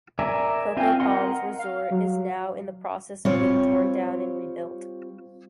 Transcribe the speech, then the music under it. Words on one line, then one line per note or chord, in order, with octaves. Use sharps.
Coco Palms resort is now in the process of being torn down and rebuilt.
A#4 D5 E5 G#5
C4 F4 F5 G5 G#5
A#4 D#5 F#5 C6
F5
F#3
G3 C4 F4 C5 C#5